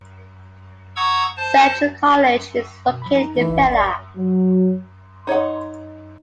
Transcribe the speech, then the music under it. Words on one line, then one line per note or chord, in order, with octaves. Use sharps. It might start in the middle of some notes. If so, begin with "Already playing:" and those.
Central College is located in Pella.
F#5 A#5 C#6 D#6 E6 G#6
C5 A5
B2
F3 B5
D#4 A#5
E3 A3 D#4
G1 C#2 E5
D5
F#3
D#4 C#5 D#5 F#5